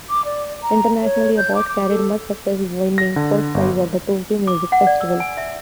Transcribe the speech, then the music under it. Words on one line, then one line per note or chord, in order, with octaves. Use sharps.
Internationally, Abbott carried much success, winning first prize at the Tokyo Music Festival.
D6
D5
A#5
C#5
G6
D6
D6
A4
A#6
D3
G1
D6
F#5
D5
E6
G#5
E5